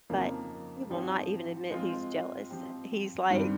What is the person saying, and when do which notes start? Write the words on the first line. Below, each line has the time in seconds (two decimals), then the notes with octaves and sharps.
but he will not even admit he's jealous. He's, like
0.10 F2 C#3 F3 A#3 D#4
0.90 G#2 F3 C4 G4 C#5
1.70 G#3 C4 F4
2.50 F3 C4 G4
3.30 G2 D#3 G3 C4